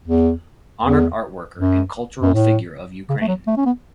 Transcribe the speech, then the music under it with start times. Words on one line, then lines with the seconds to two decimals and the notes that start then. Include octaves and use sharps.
Honored Art Worker and Cultural Figure of Ukraine.
0.08 E2
0.83 E2
1.58 F#2
2.22 F#2
2.34 A2
3.09 C#3
3.21 A3
3.28 F#3
3.47 A3
3.57 C#4
3.66 B3